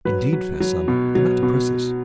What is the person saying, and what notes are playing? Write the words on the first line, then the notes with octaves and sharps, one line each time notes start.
"Indeed, fair son, the matter presses."
F#3 B4
F#3
F#3
B2
F#3
B2